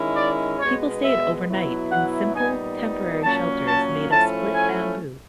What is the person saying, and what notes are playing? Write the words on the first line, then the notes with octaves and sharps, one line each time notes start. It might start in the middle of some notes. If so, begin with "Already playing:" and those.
People stayed overnight in simple, temporary shelters made of split bamboo.
Already playing: D#3 G#3 C#4 E4
D5
B2 G#3 B3 C#5
E5
B2 F#3 B3 E4
F#5
A#2 G3 B3 D#4 G#5
A#2 F#3 A#3 C#4 A5
A5
F3 A3 C#4 E4 A5
G#5